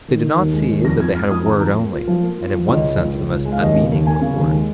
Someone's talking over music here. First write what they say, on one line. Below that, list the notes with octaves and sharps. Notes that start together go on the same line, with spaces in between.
They did not see that they had a word only, and in one sense the most unmeaning of words.
D#3
D#3
D#2
G#3
D#2
F2 A#6
F2 G#6
G#3 F6
F2 D#6
D#3 A#5
F2 A#5
A#3
F4
F3
A#3
F4
F3
C#2 D#5
C#2
C#2
C#2
C#2
G#3
F5
D#2 D#5
C#3
D#2
A#3 G#5
C#3
D#2
G#3